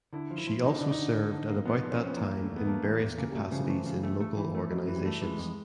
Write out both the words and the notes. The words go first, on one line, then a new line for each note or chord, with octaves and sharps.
She also served at about that time in various capacities in local organizations.
D3 E4
F3
E4
F3
D3 D#4
D3 D4
D#4
D3
D3
D3
A#3
F3 B3
F3
C#4
F3 C4
B3
E3 A#3
E2
A3
E2
B3
A3 A#3
E3
E2
C#3 A#3
G3
F#3 A3
C#3 F3
E3
A3
F3
C#3
A3
A3
E3
A3
F2 F#3
E3
G3
A3
E3 G#3
F2